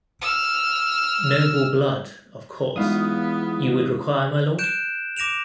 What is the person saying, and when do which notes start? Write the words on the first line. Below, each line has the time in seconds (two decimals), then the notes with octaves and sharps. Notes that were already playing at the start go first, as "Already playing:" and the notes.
Noble blood, of course, you would require, my Lord?
0.22 E6 F6
2.76 E2 F#3 G#3 B3 D#4 F4 F5 D#6
4.59 F#6 G6 D7 E7
5.17 D6 A#6 D7 E7 F7